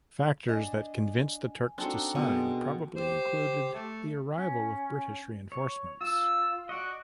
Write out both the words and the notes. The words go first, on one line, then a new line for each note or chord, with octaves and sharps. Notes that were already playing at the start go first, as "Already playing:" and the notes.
Factors that convinced the Turks to sign probably included the arrival of British reinforcements.
D4 D#5 G#5
C4 D4 D#4 F#4 A4
B2 G#3 A#4
G4 C5
A3
C#4
C#5
F4 E6
F#4 D5 D#5